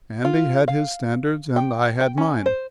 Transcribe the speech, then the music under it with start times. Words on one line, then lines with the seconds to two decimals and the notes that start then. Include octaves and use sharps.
Andy had his standards and I had mine.
0.25 F4
0.68 F5
1.56 G5
2.01 G5
2.18 C#4
2.46 C5